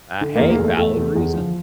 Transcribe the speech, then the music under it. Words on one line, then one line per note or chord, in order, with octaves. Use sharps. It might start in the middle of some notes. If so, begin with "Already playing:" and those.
Ah Hey, valid reason.
D3
A#3
E2
A#3
E2 A3
E2 A3
E2
E2
F3